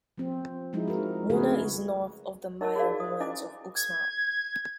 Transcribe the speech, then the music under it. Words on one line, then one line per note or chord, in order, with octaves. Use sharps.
Muna is north of the Maya ruins of Uxmal.
F3 C4
F3 G#3 D#4 E4
F#4 A#4
C#3 A3 F#4 G#4 A#4 B4
D#4 A#4 C#5 D#5 A5
F#4 G#4 A#4 C#5 D5 F5
C5 D#6
C#4 E4 C5 D#5 G#5 D6
G#6